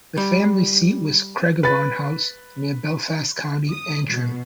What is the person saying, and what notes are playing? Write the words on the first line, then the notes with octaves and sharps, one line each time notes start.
The family seat was Craigavon House, near Belfast, County Antrim.
G3
B4 A6
D#6
B2